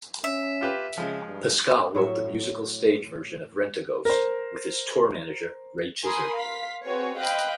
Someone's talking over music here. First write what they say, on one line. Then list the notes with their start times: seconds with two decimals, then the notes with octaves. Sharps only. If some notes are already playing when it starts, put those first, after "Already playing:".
Pasquale wrote the musical stage version of "Rentaghost" with his tour manager Ray Tizzard.
0.24 C#4 E5
0.61 F4 G4 B4
0.98 C#3 F3 G#3
1.28 G2
1.95 A2 F#3 C#5 E5
4.05 A#4 C5
6.04 A#4 G#5 B5 C6 D#6
6.34 F5 C6 B6
6.84 C4 F#4 G#4 B4 C#5
7.18 C5 D#5 F5 G5 B5 F#6